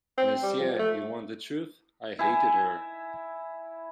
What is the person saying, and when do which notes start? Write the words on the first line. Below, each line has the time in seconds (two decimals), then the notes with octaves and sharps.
Monsieur, you want the truth — I hated her!
0.18 C4
0.43 G3
0.59 F3
0.79 A3
2.19 E4 G#5